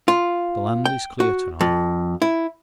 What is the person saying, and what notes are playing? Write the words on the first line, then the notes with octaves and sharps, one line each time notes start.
The land is clear to-night.
F4
G5
F#4
F2
E4